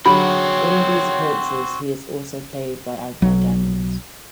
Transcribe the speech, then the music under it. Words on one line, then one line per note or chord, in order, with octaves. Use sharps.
In these appearances, he is also played by Anthony Daniels.
D3 F#3 C4 F#4 G#4 C#5 B5
B1 F#3